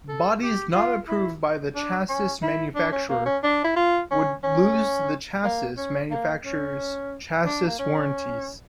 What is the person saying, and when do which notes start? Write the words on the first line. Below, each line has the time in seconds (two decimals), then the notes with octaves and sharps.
Bodies not approved by the chassis manufacturer would lose the chassis manufacturer's chassis warranties.
0.09 A4
0.42 G4
0.75 F4
1.08 E4
1.75 D4
2.09 C#4
2.43 E4
2.76 D4
2.92 C#4
3.09 A#3
3.26 C#4
3.44 D4
3.64 E4
3.76 F4
4.11 C#4
4.43 C#4
5.44 A#3
5.77 C#4
6.11 A#3
6.45 C#4
7.45 D4
7.67 A#3
7.79 C#4